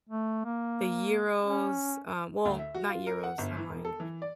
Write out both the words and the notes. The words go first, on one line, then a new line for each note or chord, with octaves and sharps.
the gyros, um well, not gyros- I'm lying-
A3
A#3
C#4
D2
E5
F#4
F4
A#4
F#5
G1
E3
E1
A4
E3
D5